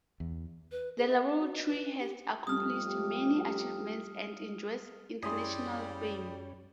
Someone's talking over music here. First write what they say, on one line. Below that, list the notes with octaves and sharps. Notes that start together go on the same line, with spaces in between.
The Laboratory has accomplished many achievements and enjoys international fame.
E2
B4
G#4
E5
F#4
D#5
B4
G4
F2 G3 A3 G4 D#6 F6
F#2 G3 C#4 E4 G#4 C#5 C6 D#6